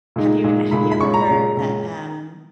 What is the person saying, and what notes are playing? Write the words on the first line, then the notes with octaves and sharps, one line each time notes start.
Have you have you ever heard that, um,
A#2 G#3 D#4
A#2 G#3 D#4
A#2 G#3 D#4 B5
B5
A#2 G#3 C#4 C#6
A#5
A#2 G#3 C#4
A#2 G#3 C#4